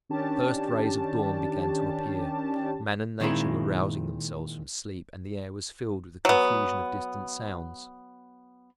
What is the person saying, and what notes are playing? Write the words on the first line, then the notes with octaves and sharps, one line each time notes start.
The first rays of dawn began to appear: man and nature were rousing themselves from sleep and the air was filled with the confusion of distant sounds.
D#3 C#4 D4 G4 A5
A#2 D#3 G#3 C4 E4
F#3 B3